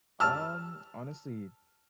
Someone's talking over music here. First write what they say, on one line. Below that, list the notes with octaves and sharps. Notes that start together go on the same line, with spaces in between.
Um, honestly
A5 E6 F6